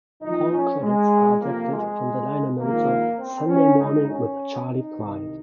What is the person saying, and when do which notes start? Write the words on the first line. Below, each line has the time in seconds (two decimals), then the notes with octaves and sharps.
All credits are adapted from the liner notes of "Sunday Morning with Charley Pride".
0.21 A#1 A#2 F3 D#4
0.50 C#4
0.81 G#3
1.40 F2 C3 F3 A#3
1.69 G#3
2.58 A#1 G#2 D#3 A#3
3.18 C4
3.48 C#4
3.77 G#1 G#2 D#3 D#4
4.07 C#4
4.67 D#4
4.96 C2 C3 D#3